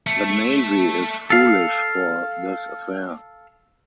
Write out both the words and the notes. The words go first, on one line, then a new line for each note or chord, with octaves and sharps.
The Navy is foolish for this affair.
A3
A4 F5